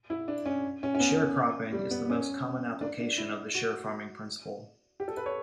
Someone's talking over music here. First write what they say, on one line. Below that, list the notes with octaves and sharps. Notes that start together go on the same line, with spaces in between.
Sharecropping is the most common application of the sharefarming principle.
E4
D4
C#4
C#4
C#4
B3
G3
B3
C#4
D4
D4
E4
F#4
G4
A4
B4
C#5